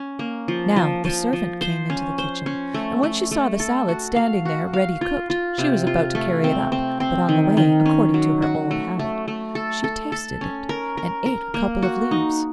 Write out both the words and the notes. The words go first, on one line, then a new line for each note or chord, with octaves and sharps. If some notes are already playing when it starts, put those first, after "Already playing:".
Now the servant came into the kitchen, and when she saw the salad standing there ready cooked she was about to carry it up, but on the way, according to her old habit, she tasted it and ate a couple of leaves.
Already playing: C#4
A#3
F3
F3
F3
F3
C5
C#4
C5
C#4
A3
A3
A3
A4
F#4
F5
F#4
F5
F4
F4
C3
F4
A3
C4
C4
C4
D#3
D#3
C#4
F#3
F#4
A3
A3
A3
A4
A4
A4
C#4
A#4
A#4
A#4
A#3
F#4
D#4